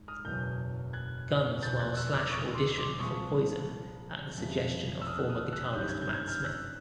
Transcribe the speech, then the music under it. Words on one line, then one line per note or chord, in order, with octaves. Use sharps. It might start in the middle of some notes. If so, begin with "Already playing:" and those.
Guns while Slash auditioned for Poison at the suggestion of former guitarist Matt Smith.
Already playing: G#2
D#6 F6
F#1 E2 B2 F#3 F6 G6
F#6 G#6
F1 E2 B2 G6 A6
F#6 G#6
E6 F#6
D6 E6
C#6 D#6
C6 D6
C6 D6
C2 A#2 F3 C#6 D#6
F2 C#3 E3 G3
E6
D#6 F6
F#6
D#6 F6
E6 F#6
G1 F#2 D#3 G3 G6
G#6
G6
G#6
F6 G6
E6 F#6